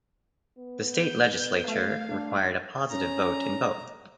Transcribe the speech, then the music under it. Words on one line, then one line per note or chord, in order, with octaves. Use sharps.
The state legislature required a positive vote in both.
B3
G6
A3 F5
D4
C#4 A#5